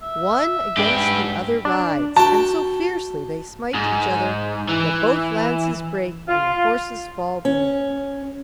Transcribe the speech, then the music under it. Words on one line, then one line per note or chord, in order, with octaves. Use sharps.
One against the other rides, and so fiercely they smite each other that both lances break and the horses fall beneath them.
E5
G#2 D4 G4 B4 G5
D4
F#4 G5 A5
G#2
E3
F4
C#4